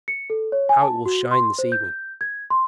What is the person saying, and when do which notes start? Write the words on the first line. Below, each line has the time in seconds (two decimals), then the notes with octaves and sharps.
"How it will shine this evening!"
0.08 C#7
0.30 A4
0.52 C#5
0.69 G#5
0.82 A5
1.06 F#4
1.31 C6
1.59 C5
1.72 G6
2.21 G#6
2.50 C6